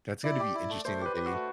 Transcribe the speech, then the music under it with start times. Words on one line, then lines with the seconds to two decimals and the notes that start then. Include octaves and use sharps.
That's gonna be interesting that they
0.24 E4 D5
0.39 G4
0.54 E4
0.70 A3
0.85 A3 C5
1.00 G4
1.06 B4
1.16 G4
1.26 F#4
1.31 A3